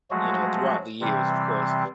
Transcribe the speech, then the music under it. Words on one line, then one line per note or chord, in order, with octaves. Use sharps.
you know, throughout the years, of course,
F3 F#3 G#3 A3 F#4
C3 E3 G3 C4